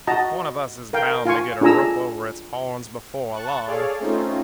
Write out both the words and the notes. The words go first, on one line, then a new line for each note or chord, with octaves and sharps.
One of us is bound to get a rope over its horns before long.
F#4 D#5 A5 A#5
A#4 F5 G5
F4 F5 G#5 C#6
D4 F4 G#4 G#5 A#5 E6
A5 C#6 F#6
G#4 A4 C#5 D5 F5
A3 C4 C#4 D#4 F4